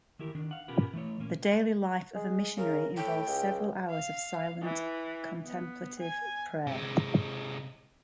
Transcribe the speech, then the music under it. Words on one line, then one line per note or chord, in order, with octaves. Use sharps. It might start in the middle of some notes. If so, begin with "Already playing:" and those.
The daily life of a missionary involves several hours of silent contemplative prayer.
D#3 E3 E4 G4 A#4
D#3 D4
F5 F#5
B2 C#4 F4 G4 A#4 B4
E3 A3 C#5
A#2 A#3 C#4
G#3
C#3 A#4
A2 G5
C#2
F5
E3
B3
G#5
C3 G#3